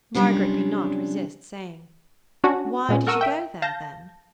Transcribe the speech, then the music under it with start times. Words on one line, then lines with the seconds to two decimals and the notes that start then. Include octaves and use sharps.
Margaret could not resist saying, "Why did you go there, then?"
0.15 C3 F#3 G3 C#4 D4 F4
2.44 C#4 D4 F#4
2.89 A#2 G#3 C#4
3.07 A4 A#4 F#5 C#6 E6 D#7
3.21 E5 G5
3.62 F5 A5 G6 A#6